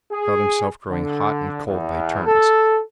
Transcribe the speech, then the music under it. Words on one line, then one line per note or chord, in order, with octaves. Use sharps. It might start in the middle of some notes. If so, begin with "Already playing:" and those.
He felt himself growing hot and cold by turns.
G#4
D3
E2
A4